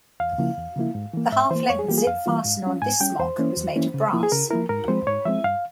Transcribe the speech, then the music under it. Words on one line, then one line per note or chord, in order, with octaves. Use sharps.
The half-length zip fastener on this smock was made of brass.
E2 F5
C#3 F3 A#3 E4
E2
C#3 F3 A#3 E4
G#2
E3 A#3
G#2 E5
E3 A#3 C5
F2 C#5
G#4
E3 G3 A#3 F4 G4
G#4
F2 F5
E3 G3 A#3 F4
G#2
G3 C#4
G#2 G#5
G3 C#4 G5
E2 C5
E3 A#3 C#4 E4
E2
E3 A#3 C#4 E4
C#3
F3 A#3 E4
G#4
C#3 A#4
F3 A#3 E4 A#4
G#2 A#4
F3 G#3 C4 C5
G#2 C#5
F3 G#3 C4 E5
G2 F5